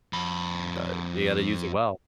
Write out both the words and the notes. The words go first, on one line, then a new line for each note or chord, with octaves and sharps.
but you gotta use it well,
F2 B5